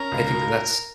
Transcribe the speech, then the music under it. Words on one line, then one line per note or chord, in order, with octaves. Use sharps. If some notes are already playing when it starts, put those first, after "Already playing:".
I think that that's
Already playing: C#4 A#4
C#2
B2